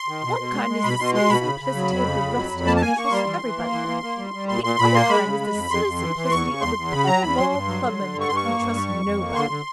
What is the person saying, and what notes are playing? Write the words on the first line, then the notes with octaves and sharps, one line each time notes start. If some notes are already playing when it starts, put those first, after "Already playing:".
'One kind is the silly simplicity of the rustic who trusts everybody; the other kind is the silly simplicity of the Pall Mall clubman who trusts nobody.
Already playing: C6
D#3
B2
B2
G#3
G#3
B2 B5
B2 C6
G#3 C6
B2 B5
C#3
C#3
F#3
F2
C#3
F2
F#3
F2
A#3 A5
A5
A#3 G#5
A#3 C#6
G3 C6
E3
E3
A#3
E3
A#3
A#3
G3
G3
A#2 C6
A#2 C6
A#2 B5
A#3 C6
G#3 B5
C#3
G#3
F2
F2 C6
F2
E3
E3
E2 C#6
C#3
E2 C6
E2
C#3 B5
F#3 A#5
E2 B5
F#3 C6
G2
F#3
D3
D3
G2
C#6
G2 C6
C#6
A#3
G2
G3
F2
F2
A#3
D3 C6
D3